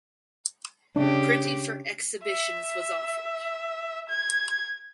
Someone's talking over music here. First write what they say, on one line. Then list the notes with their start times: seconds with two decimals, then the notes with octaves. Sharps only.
Printing for exhibitions was offered.
0.96 C#3 D4 G4
2.24 E5
4.09 G#6